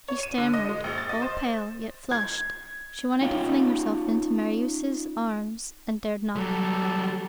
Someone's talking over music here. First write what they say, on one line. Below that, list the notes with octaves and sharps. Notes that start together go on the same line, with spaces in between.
She stammered all pale, yet flushed, she wanted to fling herself into Marius' arms, and dared not.
C#5
D#7
D3
D#5
G#3
A#1
A6
D#5
C5
G#6
C#4 D#4 F4 C#5 F5 G5
F#3 G3 A4